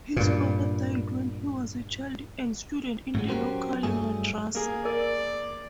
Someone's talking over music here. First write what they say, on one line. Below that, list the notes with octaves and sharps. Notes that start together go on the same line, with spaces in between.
His father died when he was child and student in the local madrasa.
G2 A#2
A2 F#3 G#3
F#3 C#4 F#4 G4 A#4 C5
G2 F#3 A3 G#4
A#3 G#4
A#4 D5